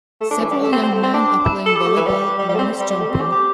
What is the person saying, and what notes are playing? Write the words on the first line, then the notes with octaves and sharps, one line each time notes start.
Several young men are playing volleyball one is jumping.
A3
D4
E3
G3
A3
C4
C4
A3
C4
D4
E4
A4
G4
A3
E3
G3
G3
G3
A3
C4
G3
G3
A3
C4
G4
G4